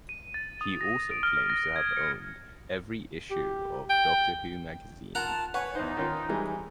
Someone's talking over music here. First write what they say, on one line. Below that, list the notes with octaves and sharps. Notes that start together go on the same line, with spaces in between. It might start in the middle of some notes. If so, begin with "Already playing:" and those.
He also claims to have owned every issue of Doctor Who Magazine.
D#7
A6
D#6
A#6
D7
F6
F6
A#6
G#6
C#7
G4
G5
D#4 F4 A#4 F#5 A5 A#5
B4 C#5 F#5 G#5 C#6
E2 D#4 C5
D#3 C#4 F4
E3 G3 G#3